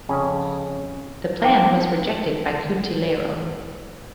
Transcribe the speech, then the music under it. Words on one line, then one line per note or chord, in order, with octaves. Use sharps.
This plan was rejected by Cutileiro.
F2 C#3 C#4 G#5
D#4 G4 C5 F#5 G5 D6